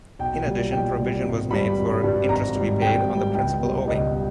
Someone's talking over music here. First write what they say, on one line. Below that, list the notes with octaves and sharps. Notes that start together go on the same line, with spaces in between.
In addition provision was made for interest to be paid on the principal owing.
B1 G5
A#2 G3
B1 G5
A#2 G3
G#1
G2 G3 B5
G#1
G2 G3
G#1 A#5
G#2 G3
G#1 G5
G#2 G3
C#2 G5
B2 G3
C#2 D#5
G3